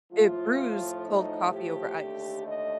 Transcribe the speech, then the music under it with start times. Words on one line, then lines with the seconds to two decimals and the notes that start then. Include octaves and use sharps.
it brews cold coffee over ice.
0.12 A2 F3 A3 F4
1.06 D#4
1.52 G4
1.99 D#2 D3 A3
2.46 D#5